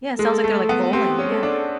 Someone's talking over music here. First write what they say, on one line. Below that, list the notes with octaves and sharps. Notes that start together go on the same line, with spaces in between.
Yeah, sounds like they're, like, bowling, yeah.
G#3 A4
A3
B3
C4 G4
C#4
A4
D4